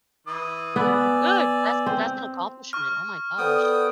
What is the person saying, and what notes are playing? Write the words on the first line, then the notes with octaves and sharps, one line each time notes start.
Good. That's that's an accomplishment. Oh my gosh.
E3 D#6
B3 D5 G#5 E6
C4
C#6 F6
B3 A4 C5 D5 G5 D#6